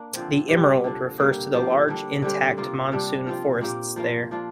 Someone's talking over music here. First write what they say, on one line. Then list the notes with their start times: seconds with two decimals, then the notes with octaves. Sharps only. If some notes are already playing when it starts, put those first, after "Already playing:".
The "emerald" refers to the large intact monsoon forests there.
Already playing: A#3 D4
0.14 D3 F3 C4
0.49 C3 G3 A#3
0.84 D3 F3 D4
1.18 D3 G3 A#3 G4
1.54 F3 A#3 G4
1.88 D3 G3 D4
2.22 D3 G3 C4 G4
2.58 C3 A#3 F4
2.92 C3 G3 D4
3.27 F3 C4 F4
3.61 A#2 A#3 G4
3.96 F3 A#3 F4
4.31 F3 D4 F4